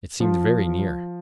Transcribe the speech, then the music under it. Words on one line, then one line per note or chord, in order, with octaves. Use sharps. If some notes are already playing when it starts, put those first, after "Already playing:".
It seemed very near.
F3